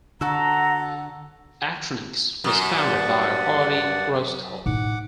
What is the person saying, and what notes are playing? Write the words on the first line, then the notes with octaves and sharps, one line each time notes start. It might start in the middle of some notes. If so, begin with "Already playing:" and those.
Artronix was founded by Arne Roestel.
D3 F#4 A4 F#5 A#5 E6
F#2
G2 D5 F#5
A2 D#4 F#5 D6